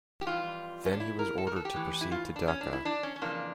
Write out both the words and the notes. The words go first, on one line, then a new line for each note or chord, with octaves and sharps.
Then he was ordered to proceed to Dhaka.
G4
F2 E3 G3 F4
C#4
D4
E4
A#4
A4
A#4
A4
G4
A2 E3 A3
E4
F4
D4
C#4
D4
E4
D4
C#4
C#4
F2 C#3 E3 A#3 D4